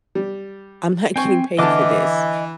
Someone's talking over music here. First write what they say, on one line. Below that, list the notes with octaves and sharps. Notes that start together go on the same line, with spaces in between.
I'm not getting paid for this,
G3
C4 G5 G#5 C#6
D3 E3 D#5 A5 D6 F6